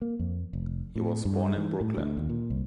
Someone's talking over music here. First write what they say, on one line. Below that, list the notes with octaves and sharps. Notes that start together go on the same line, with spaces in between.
He was born in Brooklyn.
A#3
F2
F1
A2
G2
E3
A2
D2
D#2
A#2
C2